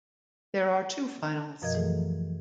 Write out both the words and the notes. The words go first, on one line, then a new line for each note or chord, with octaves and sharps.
There are two finals.
F#2 B2 F3 A#4 D#5 G#6
B2 E3 F#3 A3 G#4 A4